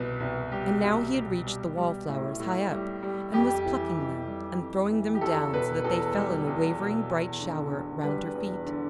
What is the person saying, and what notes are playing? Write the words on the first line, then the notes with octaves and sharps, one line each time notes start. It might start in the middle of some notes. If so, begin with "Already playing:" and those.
And now he had reached the wallflowers high up, and was plucking them and throwing them down so that they fell in a wavering bright shower round her feet.
Already playing: C2 B2 B4
C2
G3 G4
C2
B2
G3
G3
A2
A2
G3
G3
F2 G4
E3
F2
G3
F2
E3
G4
E2 A4
B2 B4
E2 A4
G3
E2
B2
E2
D3
E2
G3 B4
E2
D3